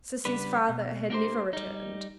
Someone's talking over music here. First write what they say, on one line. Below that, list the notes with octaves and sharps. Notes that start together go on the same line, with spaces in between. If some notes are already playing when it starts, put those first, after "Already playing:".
Sissy's father had never returned.
C#3 G3 B3 D4 B4
B2
A#3 B3 D4 G4 A#4 C5
G3 D#4